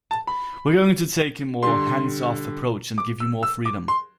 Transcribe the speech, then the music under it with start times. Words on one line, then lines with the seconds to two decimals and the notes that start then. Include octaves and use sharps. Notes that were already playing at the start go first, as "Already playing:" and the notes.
We're going to take a more hands-off approach and give you more freedom.
0.11 A5
0.27 B5
1.63 D3 G3 C6
2.98 D6
3.20 E6
3.43 E6
3.65 D6
3.88 C6